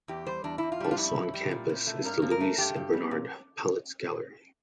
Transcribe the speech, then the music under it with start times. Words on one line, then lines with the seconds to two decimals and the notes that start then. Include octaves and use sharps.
Also on campus is the Louise and Bernard Palitz Gallery.
0.08 E2 G4
0.26 G3 C5
0.44 E2 D4
0.58 E2 E4
0.72 F4
0.80 G3 D4
0.91 F4
0.98 F2 E4
1.16 F2
1.34 G3
1.51 A#2
1.69 A#2
1.87 A3
2.05 G2 A#4
2.22 G2
2.31 A#4
2.41 A3
2.58 G2 G4
2.76 G2
2.93 G3
3.11 A#2